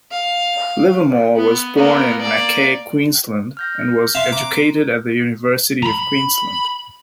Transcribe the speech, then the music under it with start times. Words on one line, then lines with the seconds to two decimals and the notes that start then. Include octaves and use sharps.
Livermore was born in Mackay, Queensland, and was educated at the University of Queensland.
0.12 F5
1.36 B3
1.76 A#3 B3
2.21 A#3 D5
3.57 F6 G6 A#6
4.15 C4 E5 F5 A5 C6 F#6
4.32 A#5 D6 D7
5.83 A#5 B5